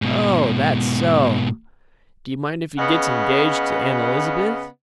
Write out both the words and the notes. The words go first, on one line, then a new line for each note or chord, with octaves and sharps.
"Oh--that's so! Do you mind if he gets engaged to Aunt Elizabeth?"
G#2 B2
C#3 B3 D#5 F#5